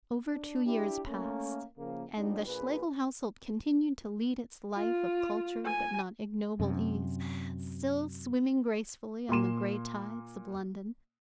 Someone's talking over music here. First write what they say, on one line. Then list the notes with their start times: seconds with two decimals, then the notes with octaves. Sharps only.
Over two years passed, and the Schlegel household continued to lead its life of cultured but not ignoble ease, still swimming gracefully on the grey tides of London.
0.31 D4
0.65 D4 E4 G4
1.07 A3 A#3 C#4
1.78 C#3 F3 A#3
2.16 F2 G#2 F3 G3 D4 D#4
2.47 A#1 A#2 G#4 B4
4.75 F4
5.66 G#5
6.60 F#2 C3
9.29 A#2 A#3 C6 E7